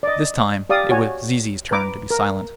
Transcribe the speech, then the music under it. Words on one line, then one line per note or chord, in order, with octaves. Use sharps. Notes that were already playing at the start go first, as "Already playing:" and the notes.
This time it was Zizi's turn to be silent.
D5 D#5
G4 D5 F5 D#6
F#4 C#5 G#5
B4 A#5 D6
A#4